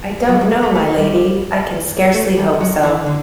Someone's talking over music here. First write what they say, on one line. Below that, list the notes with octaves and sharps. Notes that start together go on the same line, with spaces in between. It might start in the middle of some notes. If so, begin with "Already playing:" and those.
I don't know, my Lady; I can scarcely hope so.
F#3
G3
A3
A3
A3
G3
A3
G3
F#3
E3
D3